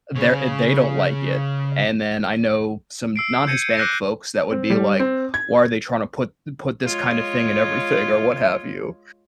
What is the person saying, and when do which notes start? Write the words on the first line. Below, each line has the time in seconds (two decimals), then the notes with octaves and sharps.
they're i they don't like it, and then I know some non-Hispanic folks that would be like, "Why are they trying to put put this kind of thing in everything?" or what have you,
0.16 C#3 C#5
3.16 E6 C7 D7
3.47 G6 G#6 C#7 D#7
3.77 D6 E6 F#6 G6 A#6
4.51 C4
4.70 G3
5.00 C4
5.34 G#6
6.84 G#3 F4 C#5